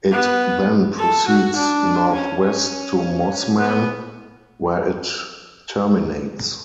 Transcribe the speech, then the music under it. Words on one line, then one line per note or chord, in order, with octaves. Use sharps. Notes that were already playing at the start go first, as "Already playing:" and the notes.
It then proceeds north-west to Mossman where it terminates.
B3
A4
F#4
D4
C#4
C#4
B3